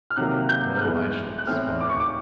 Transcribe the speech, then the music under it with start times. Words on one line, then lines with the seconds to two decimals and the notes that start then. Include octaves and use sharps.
O, I shall expire!
0.10 F6
0.16 C3 D#3 F#3 A#3 F#6
0.49 G6
0.77 F6
0.81 E3 G#3 B3 F#6
1.38 F#6
1.47 A2 E3 A3 C4 F6
1.80 D6
1.89 C#6
2.00 D6